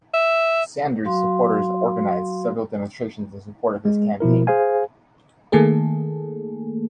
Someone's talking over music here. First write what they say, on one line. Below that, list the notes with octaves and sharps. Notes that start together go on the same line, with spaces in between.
Sanders supporters organized several demonstrations in support of his campaign.
E5
F#3 F#4 F5 C6
G#3
B2 F3 E4 A#4
G#4 C5 F5 G#5
D#3 A3 A#3 G#4 A4